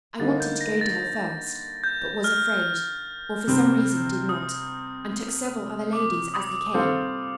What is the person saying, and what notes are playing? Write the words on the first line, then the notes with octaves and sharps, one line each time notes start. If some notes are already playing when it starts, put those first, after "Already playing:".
I wanted to go to her first, but was afraid, or for some reason did not, and took several other ladies as they came.
D3 G3 A#3 D#4 A6
G6
A#6
A6
G6
F6
C3 G3 C4
D#6
D6
D#6
G3 C4 F4 A4 C5